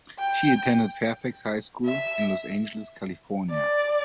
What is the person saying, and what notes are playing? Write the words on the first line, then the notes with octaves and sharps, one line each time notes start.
She attended Fairfax High School in Los Angeles, California.
G5
E5
D5